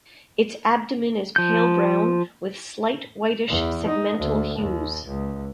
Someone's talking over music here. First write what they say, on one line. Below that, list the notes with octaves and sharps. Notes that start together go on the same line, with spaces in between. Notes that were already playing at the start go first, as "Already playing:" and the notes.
Its abdomen is pale brown with slight whitish segmental hues.
F3 G6
E2
D#4
D2
D#2
C#2